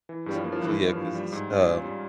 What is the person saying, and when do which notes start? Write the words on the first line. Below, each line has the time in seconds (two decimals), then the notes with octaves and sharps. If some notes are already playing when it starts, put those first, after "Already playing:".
s so yeah 'cause it's, um
0.09 E3
0.26 G2 G3
0.35 F3
0.45 A#3
0.52 F3
0.61 G2 E3
0.80 E3
0.89 F3
0.97 G2
1.15 G3
1.32 G#2
1.50 C#4
1.67 F4
1.85 G3